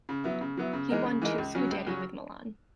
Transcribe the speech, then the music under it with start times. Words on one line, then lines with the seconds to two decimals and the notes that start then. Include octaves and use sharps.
He won two Scudetti with Milan.
0.09 C#3
0.24 F#3 B3 E4
0.41 C#3
0.57 F#3 B3 E4
0.73 C#3
0.89 E3 G#3 D#4 A#4
1.06 C#3
1.22 E3 G#3 D#4 A#4
1.38 C#2
1.55 C#3 F#3 C#4 F#4
1.70 C#2
1.87 C#3 F#3 C#4 F#4